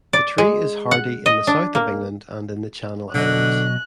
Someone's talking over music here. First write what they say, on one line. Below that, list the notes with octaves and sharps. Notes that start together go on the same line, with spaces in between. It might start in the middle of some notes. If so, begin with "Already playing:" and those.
The tree is hardy in the south of England and in the Channel Islands.
D5
G#3
F#5
D#5
D4
A#3
B2 D3 F#3 D#5 F#6